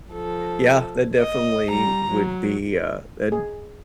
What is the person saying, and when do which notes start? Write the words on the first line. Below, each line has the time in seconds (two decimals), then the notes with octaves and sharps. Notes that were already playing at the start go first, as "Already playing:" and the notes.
Yeah, that definitely would be, uh, tha
0.11 F3 A4
1.18 D#5
1.70 G3 A#5
2.12 F#3
3.32 G#4